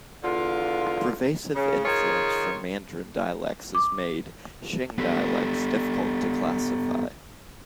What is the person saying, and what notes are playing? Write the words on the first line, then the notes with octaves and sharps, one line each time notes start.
Pervasive influence from Mandarin dialects has made Xiang dialects difficult to classify.
E2 D3 F4
C#3
D#3 F4 G#4 C#5
D6
B3 G4 A4